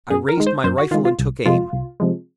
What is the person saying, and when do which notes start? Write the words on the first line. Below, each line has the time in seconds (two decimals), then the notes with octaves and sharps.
I raised my rifle and took aim.
0.10 F#2 G#4
0.29 A#4
0.37 D#3 G#3
0.47 C5
0.64 F#2 C5
0.78 F#4
0.91 D#3 F4
0.94 G#3
1.05 F4
1.19 C2
1.45 C3 F3 G#3 F4
1.73 C2
2.00 C3 F3 G#3